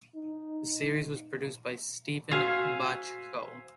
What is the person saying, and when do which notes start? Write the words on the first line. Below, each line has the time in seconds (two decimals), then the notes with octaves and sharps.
The series was produced by Steven Bochco.
0.15 D#4
2.32 F#4 C5 E5 F5 G#5